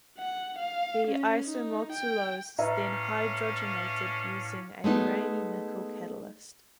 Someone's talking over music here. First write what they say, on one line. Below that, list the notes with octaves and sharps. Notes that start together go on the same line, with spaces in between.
The isomaltulose is then hydrogenated, using a Raney nickel catalyst.
F#5
F5
C#4
D#4
G5
A2 C#4 D4 B4 E5 F5 A#5
G#3 A3 B3 D#4